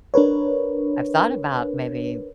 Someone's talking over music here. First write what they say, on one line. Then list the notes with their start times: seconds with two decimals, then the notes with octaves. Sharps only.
I've thought about maybe
0.14 D4 A#4 B4 C#5